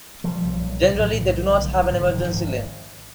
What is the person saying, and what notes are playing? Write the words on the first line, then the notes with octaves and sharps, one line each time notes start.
Generally, they do not have an emergency lane.
A#2 F3 G3
B1
A#2
B1
G3
A2 E3 F#3
B1 D3
D3
A2 D#3
D3
B1
D3
G#2 D#3
D3
G#1
D3 E3
F#3
G#2 D#3 F3
G#1